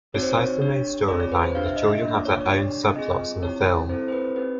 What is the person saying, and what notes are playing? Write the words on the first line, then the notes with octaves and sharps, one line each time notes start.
Besides the main storyline, the children have their own subplots in the film.
C4 D#4 F#4 C#5
C5
C#5
D4 G4 C#5
C4 F4 G#4 D5
C#5
B4
C5
D4 G4 F5
E5
D#5
E5
A#3 D4 F4
D5
C#5
C#5
D4 G4 D5
C4 F4 G#4 D#5
C4 E4 G4 C#5
C4 E4 A4 C5
C5
B4
C4 D#4 G4 B4